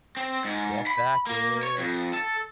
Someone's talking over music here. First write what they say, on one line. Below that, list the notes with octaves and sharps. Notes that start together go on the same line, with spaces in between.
brought back in, and
C4
G#2
B5
A#3
C#5
F2
A4